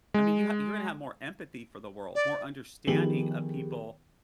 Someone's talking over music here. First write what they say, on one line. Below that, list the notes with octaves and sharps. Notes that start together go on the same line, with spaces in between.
I mean, you ha you're gonna have more empathy for the world, more understanding of people
G#3
D5
D#3 F3 B3 G4 G#4 F#7